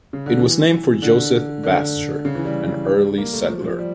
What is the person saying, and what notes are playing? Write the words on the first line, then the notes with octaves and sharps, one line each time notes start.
It was named for Joseph Baschor, an early settler.
C#3
D3
E3
D3
D3
C#3
E3
G3
A#3
A3
F3
F3
G3